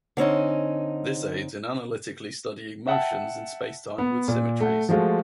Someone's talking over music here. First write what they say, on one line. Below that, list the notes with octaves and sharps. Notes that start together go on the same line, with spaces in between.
This aids in analytically studying motions in a spacetime with symmetries.
D3 C4 C#4 D#4
E5 F#5 G5 A5
B3
A#2
A3 F#5
F3 G#3 A3 F4 F#4